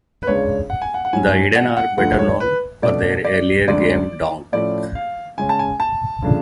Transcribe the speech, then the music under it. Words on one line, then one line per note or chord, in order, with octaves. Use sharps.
The Hidden are better known for their earlier game Donk!
B4
C#2 C#3 G#3 D4 C#5
F#5
G#5
F#5
F#5
G#2 F#3 C#4 G#5
F#5
F#5
D2 D3 F3 A3 F#5
C#5
B4
B2 A3 D4 D5
D5
D2 D3 G#3 D4 D5
A2 F3 A3 C#4 D5
F5
C#3 G#3 C#4 G#5
A5
G#5
A5
C#3 F3 A3 D4